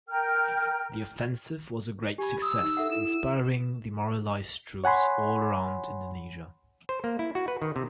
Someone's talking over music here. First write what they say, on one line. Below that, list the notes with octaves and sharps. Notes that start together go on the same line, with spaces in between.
The offensive was a great success, inspiring demoralized troops all around Indonesia.
A#4 G5 F6
G4 G#5 B5
D#6 E6
D#4
A4 E5 F#5
E4 A4 E7
C#5 F#5 G#5 B5 C6
C5
A#3
E4
F#4
B4
D#3
C3